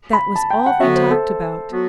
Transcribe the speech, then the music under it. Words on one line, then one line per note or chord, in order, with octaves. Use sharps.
That was all they talked about.
B5
A5
G5
F#5
D3 F#3 B3 F#4 E5
C5
A4
F#3 B3 F#4